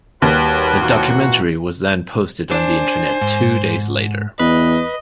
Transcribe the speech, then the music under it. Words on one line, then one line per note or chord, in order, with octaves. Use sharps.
The documentary was then posted on the internet two days later.
D#2 G3 F#4 B4
A#2 E3 F#4
D4 C5 G#5
G#2
E2 B4 D#5